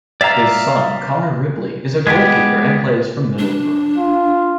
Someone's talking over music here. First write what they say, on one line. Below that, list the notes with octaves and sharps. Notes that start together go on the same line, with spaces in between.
His son, Connor Ripley, is a goalkeeper and plays for Middlesbrough.
D5 E5 F5 A#5
G#3 B3 G4
D4
F4